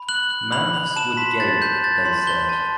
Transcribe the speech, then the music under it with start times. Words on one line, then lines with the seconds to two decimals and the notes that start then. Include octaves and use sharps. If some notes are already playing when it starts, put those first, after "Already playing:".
"Mouths would gape", they said.
Already playing: B5
0.09 F#6 F#7
0.30 F#6
0.52 B5 F#7
0.74 B5
0.96 A5 E7
1.17 C6 B6
1.40 G6 A6
1.61 A5 G6
1.83 A5 A6
2.05 C6
2.27 G6 G7
2.49 A5